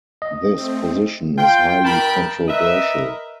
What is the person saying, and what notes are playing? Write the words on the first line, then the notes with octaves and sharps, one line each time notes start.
This position is highly controversial.
D#5
A3 C4
F4 G5
G2 A#4 G5 A5 B5
A#4 B4 D#5 E5